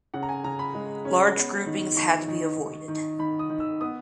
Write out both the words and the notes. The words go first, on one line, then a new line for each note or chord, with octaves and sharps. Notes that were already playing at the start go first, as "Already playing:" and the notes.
Large groupings had to be avoided.
C#3 F#5
A#5
G#5
C#3 A#5
B5
G#3
C#4
B3
D#3
D#3 C#6
D#3
D#3
D#3
D#3 B5
D#6
D#3
E6
B3 D#6